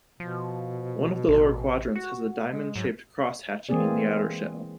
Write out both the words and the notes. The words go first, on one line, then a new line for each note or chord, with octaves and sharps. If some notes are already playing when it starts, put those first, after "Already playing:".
One of the lower quadrants has a diamond-shaped cross-hatching in the outer shell.
B2 F3
A1
F#4
G#3
G#2 F#3
E3 G#3 A#3 C4 G#4 D5